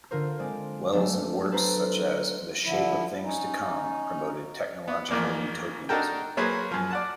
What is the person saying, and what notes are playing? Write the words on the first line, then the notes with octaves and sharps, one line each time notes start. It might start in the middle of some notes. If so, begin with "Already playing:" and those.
Wells in works such as "The Shape of Things to Come" promoted technological utopianism.
D3 F4 A#4 C5
G#3 C4 D5
F#3 G#3 A3 B3 D4
A4 B4 C5 A#5
E4
D3 F3 E4
C#4 D#4
B3
A1 F2 A#3 D5 D6
D4 D#4 F#4 A4 A#4 G5
F#3 A#3 G#4 B4 C5
F#2 F3
D5 F#5 A5